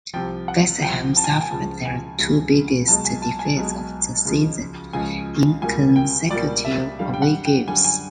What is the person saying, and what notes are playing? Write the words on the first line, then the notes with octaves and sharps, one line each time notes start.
West Ham suffered their two biggest defeats of the season in consecutive away games.
C2 C3 F3 G5
F#5
C2 C3 F3 G5
A5
G#5
G5
G#5
C#2 C#3 F3 A5
G#5
C#2 C#3 F3
B1 B2 G#3 A5
G#5
A5
G#5
B1 B2 G#3
C#2 C#3 F3 G#3
C#2 C#3 F3 G#3 G#5
C#2 B2 G3 A#3 G#5
G5
C#2 B2 G3 A#3 D5
E5
F#2 D3 G3 F5
G5
F#5
G5
F#2 D3 G3 G#5
G#5